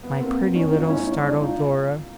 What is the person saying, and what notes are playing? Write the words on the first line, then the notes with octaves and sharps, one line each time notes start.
My pretty, little, startled Dora!
B3
A#3 C4
C#4 D#4
D#4 F4
E4
C#4 D#4
C#4 D#4
D4 E4
D#4 F4